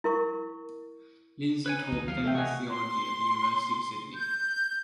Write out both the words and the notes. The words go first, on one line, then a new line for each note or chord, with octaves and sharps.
Lindsay taught feminist theology at the University of Sydney.
E4 A#4 C#6
B4 C#5 G#5
D#4
D2
E3 G3 F5
A3 A4 E5 G5
C3 D#5 F#5 G#5 C#6
C6
G6